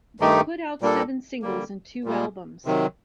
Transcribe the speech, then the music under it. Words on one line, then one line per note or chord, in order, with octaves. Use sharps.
They put out seven singles and two albums.
G2 D#3 A3 D#4 G4
A#2 G3 A#3 D4 A4
D3 G3 A#3
A#2 G3 A#3
C3 D#3 F#3